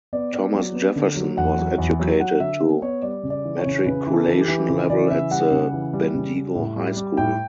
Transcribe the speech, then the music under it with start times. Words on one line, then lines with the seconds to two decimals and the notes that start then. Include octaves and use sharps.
Thomas Jefferson was educated to matriculation level at the Bendigo High School.
0.13 B3 D5
0.33 B3 D5
0.54 F#3
0.75 B3
0.96 D3
1.16 F#3
1.37 E2 F#5
1.58 F#3
1.78 E2
2.00 F#3
2.19 F#3 F#5
2.40 D3 E5
2.61 B3
2.82 B3 C#5
3.02 G3 D5
3.23 C#3
3.30 D5
3.45 E3
3.58 C#5
3.66 C#3
3.86 C#3 B4
4.07 E3
4.13 A4
4.27 E3
4.41 G4
4.48 E3
4.69 C#3
4.89 E3 D5
5.10 C#3 E5
5.31 G3 F#5
5.51 C#3
5.73 E3
5.93 G3
6.14 C#3
6.34 G3
6.55 A2
6.76 G3
6.97 G3
7.17 A2 G5